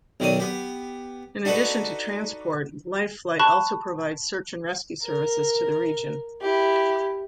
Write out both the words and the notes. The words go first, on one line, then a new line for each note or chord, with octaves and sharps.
In addition to transport, Life Flight also provides search-and-rescue services to the region.
B1 D#3 F#3 D5 D#6
B3 G4
D4 D#4 F#4 A4 B4
A5 B5 C#6 F#6
A#4
E4 G4